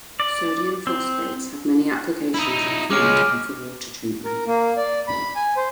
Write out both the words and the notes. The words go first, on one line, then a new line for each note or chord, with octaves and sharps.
Sodium phosphates have many applications in food and for water treatment.
D5
C4
D#4 E4
G#3 C#4 D6 F6 D7
A#4
A#3
D5
B5
G#5
C5